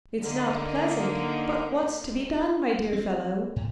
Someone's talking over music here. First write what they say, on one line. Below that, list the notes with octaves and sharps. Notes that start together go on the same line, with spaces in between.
It's not pleasant, but what's to be done, my dear fellow?
D3 A#3 D#4
C4
A2